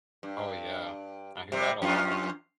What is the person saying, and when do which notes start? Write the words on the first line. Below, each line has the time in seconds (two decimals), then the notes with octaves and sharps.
Oh, yeah. I hear that a lot.
0.23 G2
1.52 C3 G3
1.82 F2 F4